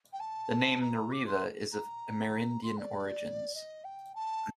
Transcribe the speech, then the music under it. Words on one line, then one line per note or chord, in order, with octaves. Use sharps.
The name "Nariva" is of Amerindian origins.
G5
A5
A#5
D6
C6
A#5
C6
D5
D#5
G5
A5